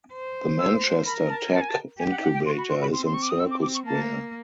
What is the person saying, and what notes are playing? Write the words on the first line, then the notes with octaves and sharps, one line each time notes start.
The Manchester Tech Incubator is in Circle Square.
C5
E6
A#4 B5
A5
A5
G#5
A5
G4 G#5
F#5
F#5
G5
F#4 C6
B5
C6
B5
C4 C6
C6
C#6
D6
D#6
E6
D6
D6
C#6
A#3 A5